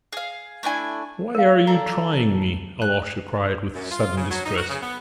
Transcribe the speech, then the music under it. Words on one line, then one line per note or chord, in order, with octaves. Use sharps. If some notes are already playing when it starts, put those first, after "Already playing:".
"Why are you trying me?" Alyosha cried, with sudden distress.
G#4 F5
A3 D4 E4 G#5
A#4 F5
D4 A4 A#5
F#6
F#2
F4
C#3
F#3
D#4
F#4
C#3
B3